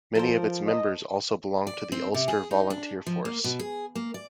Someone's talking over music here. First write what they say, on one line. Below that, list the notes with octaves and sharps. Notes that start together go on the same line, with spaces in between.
Many of its members also belonged to the Ulster Volunteer Force.
F3 A4 A#4 C5
D#5
D5
C4
C3
G#4
D#4
D4
F3
A#3
B2
G#4
A#3
D5